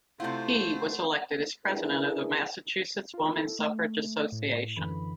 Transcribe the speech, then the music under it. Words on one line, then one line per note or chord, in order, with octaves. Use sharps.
He was elected as president of the Massachusetts Woman Suffrage Association.
C3 A3 E4 F4 C5 F#5
D4 E4 G#4 A#4 B4
F4 A#4
E4 A4
A3
A2
F#2 D3 E3 B5